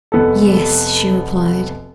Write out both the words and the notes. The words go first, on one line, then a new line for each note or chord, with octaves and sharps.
"Yes!" she replied.
F1 B3 A4